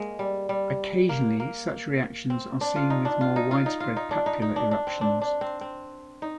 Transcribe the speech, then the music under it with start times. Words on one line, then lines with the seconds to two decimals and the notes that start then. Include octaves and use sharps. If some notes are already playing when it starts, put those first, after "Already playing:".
Occasionally such reactions are seen with more widespread papular eruptions.
Already playing: G#3 A#3
0.19 G3
0.49 G3
1.09 A#3
1.40 A#3
2.30 C4
2.61 D4
2.76 F4
2.90 D#4
3.05 D4
3.21 F4
3.36 D#4
3.51 F4
3.66 D#4
3.80 F4
3.96 D#4
4.11 D4
4.26 D#4
4.42 D#4
4.56 D4
4.71 D4
4.87 C4
5.01 D4
5.21 D4
5.41 C4
5.61 C4
6.22 D#4